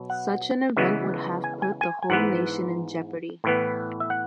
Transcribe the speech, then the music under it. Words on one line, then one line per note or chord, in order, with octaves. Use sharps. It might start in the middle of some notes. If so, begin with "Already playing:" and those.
Such an event would have put the whole nation in jeopardy.
Already playing: B2 F#3
F#5
C#3 E3 G#3 B3 E5
G#5
G#5
G#5
G#5
G#2 E3 B3 F#5
A2 E3 B3
E5
F#5